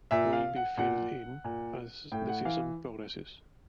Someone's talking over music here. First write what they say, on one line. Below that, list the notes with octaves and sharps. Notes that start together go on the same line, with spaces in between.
Will be filled in as the season progresses.
A#2 E5
F5
F#5
A#2 F#5
A#2
A2 G5
F#5
E3 F5